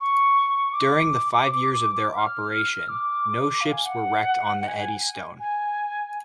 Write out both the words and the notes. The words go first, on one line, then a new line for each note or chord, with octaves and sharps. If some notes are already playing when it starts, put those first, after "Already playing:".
During the five years of their operation, no ships were wrecked on the Eddystone.
C#6
D6
F6
D6
F5
G#5
F#5
G#5
G#5